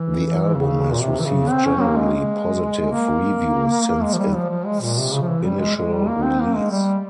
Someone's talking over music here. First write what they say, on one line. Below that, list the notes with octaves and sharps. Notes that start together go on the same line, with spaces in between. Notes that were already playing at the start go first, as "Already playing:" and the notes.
The album has received generally positive reviews since its initial release.
Already playing: E3
C#3
A#2
C3
E3
C#3
C4
C#4
A#3
G#3
A#3
A#3
G#3
F3
G3
F3
F3
G#3
A#2
C3
C#3
F3
E3
G3
G#3
G#3
G3
A#3
C4
A#3
G#3
G3